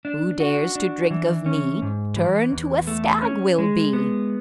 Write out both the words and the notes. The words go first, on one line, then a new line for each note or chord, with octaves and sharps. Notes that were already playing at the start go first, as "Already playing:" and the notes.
"Who dares to drink of me, Turned to a stag will be."
D4
F#4
D4
E3
C#4
G#2
E3
E2
A3
C#4
G#3
B3